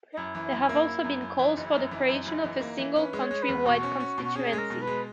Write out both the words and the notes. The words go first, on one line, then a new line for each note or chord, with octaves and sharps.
There have also been calls for the creation of a single, country-wide constituency.
D#4
F#2 E4
E3
F#2
A#3
A#3
F#2
F#2
E3
F#1 D#4
E4
F#2 D#4
E4
E3 D#4
E4
F#2 D#4
F#1 E4
D#4
E3
A#3
E3
C#4 B4
G#3
C#5
G#3
B4
E2
B2 F#4
C#4
C#4
B2
F#4
C#4 G#4
G#3
A#4
B2
B4
G#3